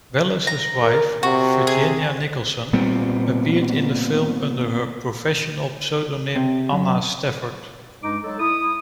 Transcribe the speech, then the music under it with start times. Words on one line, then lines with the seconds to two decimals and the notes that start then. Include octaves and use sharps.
Welles's wife, Virginia Nicolson, appeared in the film under her professional pseudonym Anna Stafford.
0.47 A#5
0.82 A#4
1.23 C3 F#4
1.67 G#4
2.73 A#2 G3 B3 C4
6.35 C3
6.72 F#2
8.03 G2 G#3 D#4 D6
8.24 F#3 G#3 D#4 A4
8.40 E4 D#6